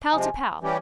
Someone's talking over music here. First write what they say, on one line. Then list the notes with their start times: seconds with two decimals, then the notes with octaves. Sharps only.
Pal to pal.
0.12 C3 F3 G#3 G#5
0.61 E3 G3 C#4 G4